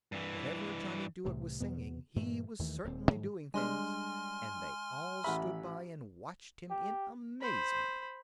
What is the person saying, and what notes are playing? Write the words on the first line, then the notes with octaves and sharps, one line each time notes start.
Whatever Johnny Dooit was singing he was certainly doing things, and they all stood by and watched him in amazement.
G2 E3
C2 A2 C3 E3
E2 B2 B3
G2 A#2 E3 A3
D#2 D#3 E3 A3
D#1 D#2 C4
G#2 D#3 F#3
G3 G#3 D4 G#5 C6 F6
A1 E5 F#5 B5
G4
C5 B5